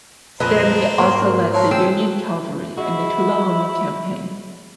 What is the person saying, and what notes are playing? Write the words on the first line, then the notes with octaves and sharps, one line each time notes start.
Stanley also led the Union cavalry in the Tullahoma Campaign.
F2 A#2 C4 D4 G#4 A#4 B4 D#5
G#2 A#3 C6
F#3 A#4 C#5 A5 C6
C4 G#4 G5 E6
G#3 E4 F#4